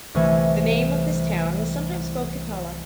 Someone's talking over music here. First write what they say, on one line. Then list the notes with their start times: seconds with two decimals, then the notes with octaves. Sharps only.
The name of this town was sometimes spelled Catalla.
0.15 C2 E3 A3 G#5